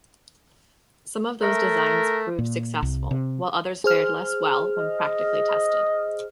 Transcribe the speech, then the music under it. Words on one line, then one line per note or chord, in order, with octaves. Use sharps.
Some of those designs proved successful, whilst others fared less well when practically tested.
A3 A#4
A#2
C2
C3
G#4 C5 F6
D#5